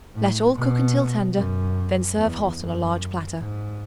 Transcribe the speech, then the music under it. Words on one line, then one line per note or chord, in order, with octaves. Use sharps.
Let all cook until tender; then serve hot on a large platter.
A2
B2
F#2
E2
F#2
G#2